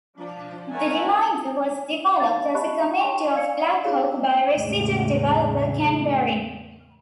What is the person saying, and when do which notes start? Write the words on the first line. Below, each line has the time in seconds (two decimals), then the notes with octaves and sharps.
The remainder was developed as the community of Blackhawk by resident developer Ken Behring.
0.17 F3 D4
0.72 A#4 C#5 E5 F#5 G#5 A5
2.20 D#4 C#5 F5 A5 A6
2.54 G4 D#5 A5 B5 C#6 F#6
3.01 C#5 G5 A5 C6 C#6
3.33 D5 F5 E6 G#6 C#7
3.84 D#4 F4 G4 G#4 C#5 F5
4.53 E2 A2 C#3 G#3 A3